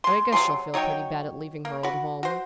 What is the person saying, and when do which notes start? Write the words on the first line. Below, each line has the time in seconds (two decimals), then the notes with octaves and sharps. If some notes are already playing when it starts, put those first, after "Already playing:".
But I guess she'll feel pretty bad at leaving her old home.
0.04 G#3 C6
0.32 C3 F#3 G#4 C6
0.74 F#3 D#4 C#5 G5
1.65 A#3
1.83 F#4 B5
2.23 F#4 C5